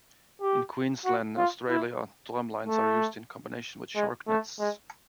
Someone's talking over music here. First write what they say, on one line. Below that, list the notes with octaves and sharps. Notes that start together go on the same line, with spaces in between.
In Queensland, Australia, drum lines are used in combination with shark nets.
G4
F#4
F4
E4
A3
G#3
A3
G#3